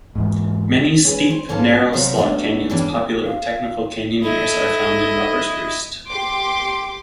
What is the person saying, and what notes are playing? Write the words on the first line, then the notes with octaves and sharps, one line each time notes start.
Many steep, narrow slot canyons popular with technical canyoneers are found in Robbers Roost.
E2 G#2
C#4 G#4 A#4 B4
C5
G#2 C#4 A4 B4 F5 A5
C3 F#3 G3 C5 F5
F#3 A3 B3 C#4 D4
E2 G2 E3 G3 C#4 D4
F5
E4 A4 D#5
G4 C6 D6